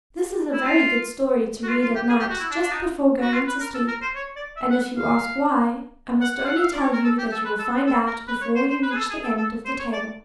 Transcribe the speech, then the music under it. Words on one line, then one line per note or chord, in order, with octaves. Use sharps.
This is a very good story to read at night just before going to sleep. And if you ask why, I must only tell you that you will find out before you reach the end of the tale.
E4
F4
F#4
F4
F4
G4
G#4
G4
F#4
E4
D4
D4
D#4
F#4
F4
B4
A#4
A4
A#4
C5
C#5
D5
E5
F#5
F5
F#5
F#5
F5
F#5
E5
F5
D5
C#5
A#4
A4
G4
A4
B4
A4
A4
A#4
B4
C#5
C5
C5
B4
G#4
A4
G#4
A4
A4
C5
C#5
D5